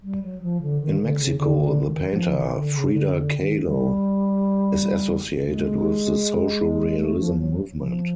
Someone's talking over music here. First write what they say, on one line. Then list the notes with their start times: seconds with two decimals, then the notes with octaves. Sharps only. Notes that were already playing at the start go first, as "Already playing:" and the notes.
In Mexico the painter Frida Kahlo is associated with the social realism movement.
0.02 G3
0.22 F#3
0.41 F3
0.61 D3
0.80 D#3
0.99 D3
1.19 C#3
1.38 D3
1.57 D3
1.83 D#3
2.09 F3
2.35 D#3
2.48 D#3
2.54 D3
2.74 C#3
2.93 D3
3.12 D3
3.38 D#3
3.64 G3
5.45 G#3
7.00 A3
7.19 F3
7.38 F#3
7.77 F3